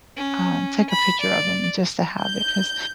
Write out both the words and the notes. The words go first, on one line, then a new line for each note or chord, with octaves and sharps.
um, take a picture of 'em just to have it 'cause
C#4
B5
D5
G6